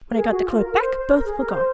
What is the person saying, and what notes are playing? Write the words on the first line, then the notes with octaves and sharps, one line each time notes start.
When I got the cloak back both were gone.
A#4
G#4
F#4
F4
A#4
C5
C5
A#4
G#4
A#4
C5